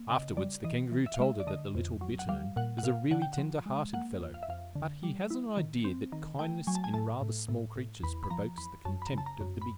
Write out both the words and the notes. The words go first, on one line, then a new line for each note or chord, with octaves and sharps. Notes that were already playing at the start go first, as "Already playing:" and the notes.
Afterwards the Kangaroo told her that the little Bittern is a really tender-hearted fellow, but he has an idea that kindness in rather small creatures provokes the contempt of the big ones.
Already playing: A#3
C#3 D#5
G3 D5
E3 D#5
E3
E5
F5
G#3 E5
D5
D3 D#5
F2
F#3
F#5
G3 F5
A#2 F#5
F#5
A#2 F5
D3 F#5
G5
F3 F#5
G#3
A#3 F#5
F2
F5
E5
F2 F5
D3
G3
E4
D#3
C4
D#3
A3 G5
F#3 G#5
A5
G#5
A2 A5
A2
A2
A2
E2 B5
B5
F3 A#5
E2 B5
F#2 A5
B5
A#5
C#3 A5
A#5
F#2
B5